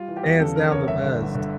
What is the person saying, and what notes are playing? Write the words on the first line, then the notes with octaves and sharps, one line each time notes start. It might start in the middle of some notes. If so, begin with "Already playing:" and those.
hands-down the best!
Already playing: G3 F4
E3
G4
E2
C#3 A4
F2 A#4
F1 C#5
G1 E5
D3
G1
D3